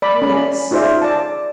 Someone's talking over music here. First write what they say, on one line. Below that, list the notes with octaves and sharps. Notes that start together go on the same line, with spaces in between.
"Oh yes."
D5 B5
C#4 B5
D#4 F4 G#4 C5 D5 E5
D5 A5